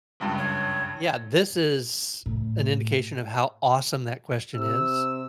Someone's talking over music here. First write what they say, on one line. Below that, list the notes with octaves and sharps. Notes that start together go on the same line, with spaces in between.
yeah, this is an indication of how awesome that question is,
F#1 C#2 G2
C#5
A2
C3 E6